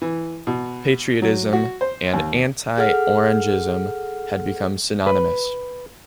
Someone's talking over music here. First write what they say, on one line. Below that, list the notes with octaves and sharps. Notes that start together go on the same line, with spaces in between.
Patriotism and anti-Orangism had become synonymous.
E3
B2
F#3
F#4
C5
D#2
G#4 A4 F#5 F6
B4